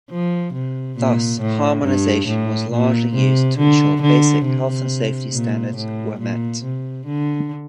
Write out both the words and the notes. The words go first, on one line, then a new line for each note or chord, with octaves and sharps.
Thus harmonisation was largely used to ensure basic health and safety standards were met.
F3
C3
A#2
A2
G2
A2
A#2
C3
D3
D3
C3
A#2
A2
A#2
C3
D3